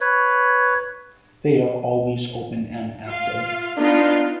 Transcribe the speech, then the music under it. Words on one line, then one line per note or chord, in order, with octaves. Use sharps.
They are always open and active.
B4 C#5
F4 F5
B3 D4 D#4 F4